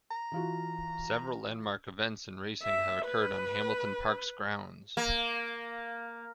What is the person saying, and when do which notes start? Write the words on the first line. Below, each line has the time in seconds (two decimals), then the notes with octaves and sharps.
Several landmark events in racing have occurred on Hamilton Park's grounds.
0.11 A#5
0.32 E3 F4 F#4
2.63 E5
3.05 B4
4.97 A#3